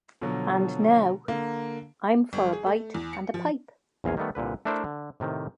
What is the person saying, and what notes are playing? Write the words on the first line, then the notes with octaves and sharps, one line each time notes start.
And now I'm for a bite and a pipe.
B2 D3 F3 F#3
D3 A#3
G1
G#4
A3
E2
C#7
F3
A#1 E2 A#2 F5 G#5
D#3 G3 A3 B3
C2 A#2 D3 B4
A3 D4 E4 A#4 C5
D3
A2 C3 D#3